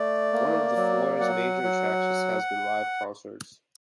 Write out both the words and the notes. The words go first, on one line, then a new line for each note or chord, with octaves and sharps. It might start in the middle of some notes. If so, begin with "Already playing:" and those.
One of the foire's major attractions has been live concerts.
Already playing: A3 D5
A#3
F#3
F#3 F#5
F#3